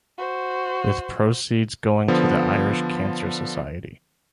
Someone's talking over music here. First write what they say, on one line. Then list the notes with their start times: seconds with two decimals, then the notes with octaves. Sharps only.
With proceeds going to The Irish Cancer Society.
0.18 F#4 C5
2.08 D3 F3 B3